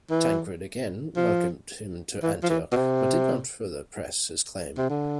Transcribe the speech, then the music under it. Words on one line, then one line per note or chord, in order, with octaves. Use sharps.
Tancred again welcomed him to Antioch but did not further press his claim.
E3
F3
E3
F3
E3
B2
C3
C3
D3